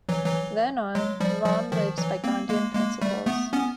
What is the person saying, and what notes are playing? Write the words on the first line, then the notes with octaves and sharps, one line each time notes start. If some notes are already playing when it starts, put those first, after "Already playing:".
Then on, Ram lives by Gandhian principles.
E3 F#3
E3 F#3
F#3 G#3
F3 G3
F3 G3
D#3 F3
E3 F#3
A#3 C4
G#3 A#3
G#3 A#3
G3 A3
A3 B3
B3 C#4